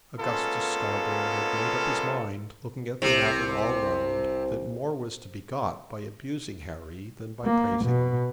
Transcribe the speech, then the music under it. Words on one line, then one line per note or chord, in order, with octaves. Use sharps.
Augustus Scarborough had made up his mind, looking at the matter all round, that more was to be got by abusing Harry than by praising him.
G#3 A#3 B3 C#4 F4 A4
C2 C3
A#3
B2